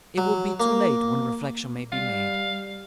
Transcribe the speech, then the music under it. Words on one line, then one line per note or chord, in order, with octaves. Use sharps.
"It will be too late when reflection may be made."
F#3
A#3
G3 F5